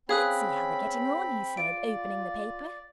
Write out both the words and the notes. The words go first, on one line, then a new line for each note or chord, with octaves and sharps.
'Let's see how they're getting on,' he said, opening the paper.
C4 C#4 G#4 F5 B5 D#6 F#6
F4 D5 D7